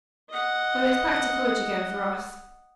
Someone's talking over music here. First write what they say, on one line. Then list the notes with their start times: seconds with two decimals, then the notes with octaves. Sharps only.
Well, it's back to college again for us.
0.29 D#5 F#5